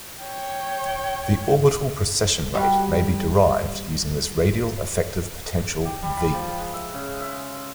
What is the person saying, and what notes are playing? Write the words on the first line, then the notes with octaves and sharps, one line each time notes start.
The orbital precession rate may be derived using this radial effective potential "V".
C#5 G5
G3 F#4
G4
G3
B5
F3
G#3
E5
C#3
E5